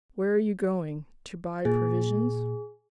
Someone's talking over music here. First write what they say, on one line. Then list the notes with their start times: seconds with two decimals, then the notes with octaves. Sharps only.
"Where are you going--to buy provisions?"
1.65 A#2 G#4